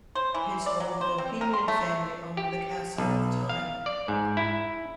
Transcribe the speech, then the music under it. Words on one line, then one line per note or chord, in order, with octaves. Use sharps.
His old Bohemian family owned the castle at the time.
C5
E3
D5
F#3
C5
C4
A#4
C6
A3
G4
B1
F5
D5
G#2
E4